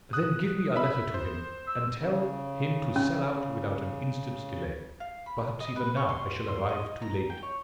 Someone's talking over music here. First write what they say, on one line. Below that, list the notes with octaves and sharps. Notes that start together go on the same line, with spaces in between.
"Then give me a letter to him, and tell him to sell out without an instant's delay, perhaps even now I shall arrive too late."
D#6 F#6
E5 B5
C5
E6
C#3
C#4
F5
B5
D#5
B4
C#5
C6
C6
D#5
A#5
G5
C#5